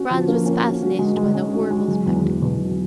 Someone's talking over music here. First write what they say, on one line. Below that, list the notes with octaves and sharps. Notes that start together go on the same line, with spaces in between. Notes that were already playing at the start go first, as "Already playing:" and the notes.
Franz was fascinated by the horrible spectacle.
Already playing: C#4 F#4
F3
A#3
C#4
F#4
F#4
G#3
G#3
C#4
F#4
G#3
F#3
E2
E2
B2
F#3